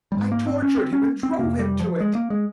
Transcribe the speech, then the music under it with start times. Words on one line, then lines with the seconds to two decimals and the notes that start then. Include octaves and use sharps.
I tortured him and drove him to it.
0.12 G3
0.16 G#2 G#3
0.32 A#3
0.47 C4
0.62 C#4
0.78 C4
0.93 C#4
1.23 C4
1.39 F2 C3 A#3
1.59 G3
1.80 F3
2.00 G#3
2.15 A#3
2.30 G#3